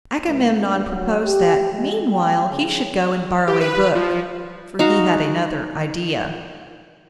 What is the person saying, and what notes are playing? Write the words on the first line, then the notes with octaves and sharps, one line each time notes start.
Agamemnon proposed that, meanwhile, he should go and borrow a book; for he had another idea.
C#2
G2
F#3
G4
G#3
G5
C#3
G4
B4
F3
D#4 F#4 F5